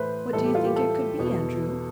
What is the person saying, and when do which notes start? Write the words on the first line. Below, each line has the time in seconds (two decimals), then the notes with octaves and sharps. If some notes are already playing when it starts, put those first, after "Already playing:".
"What do you think it could be, Andrew?"
Already playing: A2 E3 A3 B4 C5
0.33 A2 E3 G3 A4
0.44 G4
0.55 F4
0.65 G4
0.76 A4
1.18 E2 B2 B3